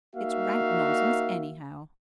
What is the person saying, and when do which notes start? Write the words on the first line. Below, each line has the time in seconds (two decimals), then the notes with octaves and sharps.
It's rank nonsense, anyhow!
0.16 A#3 D#4 F#4 E5 F5